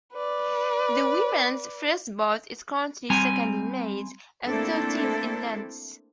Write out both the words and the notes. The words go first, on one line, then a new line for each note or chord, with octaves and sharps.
The women's first boat is currently second in Mays and thirteenth in Lents.
B4 D5
G3 C4 G#5 A#5
A3 A#3 C4 D4 E4 A4